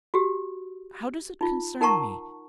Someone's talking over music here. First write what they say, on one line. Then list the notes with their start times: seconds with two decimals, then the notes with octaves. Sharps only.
How does it concern me?
0.14 F#4 G4
1.41 D#4 F4
1.81 D#4 A#4 F#5 A5 A#5 C#6